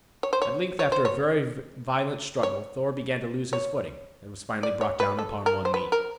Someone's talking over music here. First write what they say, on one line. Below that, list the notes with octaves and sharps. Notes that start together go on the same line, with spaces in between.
At length after a very violent struggle Thor began to lose his footing, and was finally brought down upon one knee.
C#5
C5
C#5
C#5
C5
C#5
C#5
C#5
D5
C#5
B4
A4
A#4
C5
B4
A#4